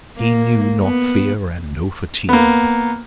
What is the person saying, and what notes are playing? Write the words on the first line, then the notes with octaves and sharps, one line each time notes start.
He knew not fear and no fatigue . . .
A#3
B3
A#3 B3